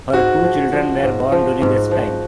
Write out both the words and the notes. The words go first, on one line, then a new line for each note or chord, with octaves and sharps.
Her two children were born during this time.
G#2 F#4
F3
F3
G#2
F3
G#2
F3